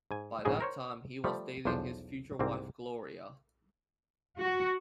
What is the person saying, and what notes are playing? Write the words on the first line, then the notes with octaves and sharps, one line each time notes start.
By that time, he was dating his future wife Gloria.
G#2 G#5
A#1 G#2 C#3 G#4 D#5 G#5
A#4 C5 C#5
F3 G3 A3
B1 E2 F3 D4 C5
C2 G#2 A#3 C4
F#4